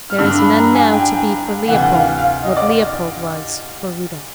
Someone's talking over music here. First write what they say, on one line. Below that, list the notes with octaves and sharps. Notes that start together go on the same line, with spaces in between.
There is none now to be for Leopold, what Leopold was for Rudolph.
F6
G2 D3 E6
B5
A#5
G#5
G5
D2 C3 E3 F#5
F5
F5
D#5
D5